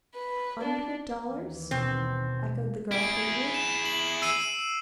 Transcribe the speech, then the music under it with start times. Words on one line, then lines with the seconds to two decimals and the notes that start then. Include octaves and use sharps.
"A hundred dollars!" echoed the girl, faintly.
0.14 B4
0.62 D4
1.28 D#2 E3
1.71 B2 C4
2.92 E4 G#4 D7
3.54 E7
3.85 F#7
4.22 E6 C7 D#7